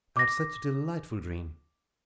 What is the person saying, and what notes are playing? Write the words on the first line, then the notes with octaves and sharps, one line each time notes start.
I had such a delightful dream.
D6 A#6